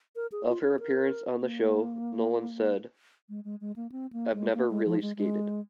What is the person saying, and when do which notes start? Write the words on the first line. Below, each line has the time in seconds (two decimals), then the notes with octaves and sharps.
Of her appearance on the show Nolan said, I've never really skated.
0.16 A#4
0.32 G#4
0.48 F4
0.64 G#4
0.79 A#4
1.41 A#3
3.29 G#3
3.45 G#3
3.61 G#3
3.76 A#3
3.92 C4
4.13 A#3
4.34 G#3
4.54 A#3
4.70 G#3
4.86 F3
5.02 G#3
5.17 G#3